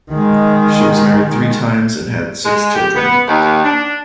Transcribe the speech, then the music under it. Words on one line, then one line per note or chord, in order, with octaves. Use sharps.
She was married three times and had six children.
D#3 G#3
G#3
G4
B3
D#2
D4